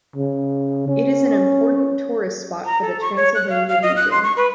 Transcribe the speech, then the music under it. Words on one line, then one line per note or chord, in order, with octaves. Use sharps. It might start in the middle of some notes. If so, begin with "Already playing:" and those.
It is an important tourist spot for the Transylvania region.
C#3
C#4
A#5
A4
C#6
C#5
F#6
F5
F5
D#5
F#6
C6
C#6
B4